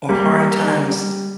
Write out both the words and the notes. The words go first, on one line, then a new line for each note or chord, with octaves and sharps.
or hard times
G3 A#3
G3